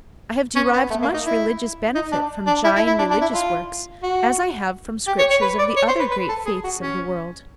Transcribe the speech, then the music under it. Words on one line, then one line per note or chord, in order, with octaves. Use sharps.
I have derived much religious benefit from Jain religious works as I have from scriptures of the other great faiths of the world.
C#4
B3
A3
A#3
D#4
E4
D#4
D4
D4
E4
E4
E4
D4
D4
E4
F4
F#4
G4
C#5
C#5
B4
D5
C#5
C5
B4
B4
A4
G#4
F#4
C#4